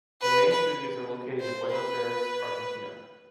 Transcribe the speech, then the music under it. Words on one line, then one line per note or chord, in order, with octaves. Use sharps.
Their main studios are located in Buenos Aires, Argentina.
B4
B4
C5
B4